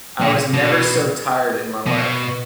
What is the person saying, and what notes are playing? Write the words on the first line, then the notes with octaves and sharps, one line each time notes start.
I was never so tired in my life.
A#2
B2
B2